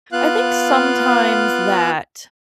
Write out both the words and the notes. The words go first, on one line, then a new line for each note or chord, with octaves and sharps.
I think sometimes that,
B3 F4 F5 F#6